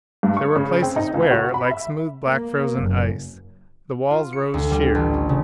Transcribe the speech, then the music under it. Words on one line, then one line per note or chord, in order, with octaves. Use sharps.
There were places where, like smooth black frozen ice, the walls rose sheer.
G2
C#6
C#3
C4
D#4
C#2
F#4
B5
E5
A#3
F#1
F4
C#7
D2
G3
A1
C#4
C#3